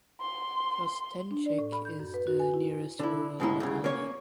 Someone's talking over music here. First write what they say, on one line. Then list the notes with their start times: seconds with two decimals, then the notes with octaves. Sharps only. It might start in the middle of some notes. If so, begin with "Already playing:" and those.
Trostenchik is the nearest rural locality.
0.21 C6
1.31 D4
1.46 D5
1.59 A2
1.72 B5
1.85 G6
2.00 F#2
2.14 B4
2.27 F#4
2.40 G#5
2.54 E4
2.99 D3 E4
3.40 D#2 G#2 G#3 C#4 E4 A#5
3.60 D2 G2 C#3
3.84 A#3 C#4 C#5